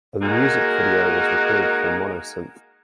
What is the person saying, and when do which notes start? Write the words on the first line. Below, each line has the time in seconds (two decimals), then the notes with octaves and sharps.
A music video was recorded for Monosynth.
0.21 G#3 A#3 D#4 F#4 A#4